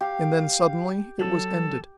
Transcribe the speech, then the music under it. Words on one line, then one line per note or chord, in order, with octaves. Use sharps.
And then suddenly it was ended.
G4 F5
F#3 A4